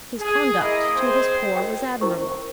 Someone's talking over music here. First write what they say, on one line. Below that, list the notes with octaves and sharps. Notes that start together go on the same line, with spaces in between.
His conduct to his poor was admirable.
G#4
A#3 E4 D#5
C4 G#4 C5
F#4 A#4 C#5 D#5 G5
C#4 E4 A#4 C5 C#6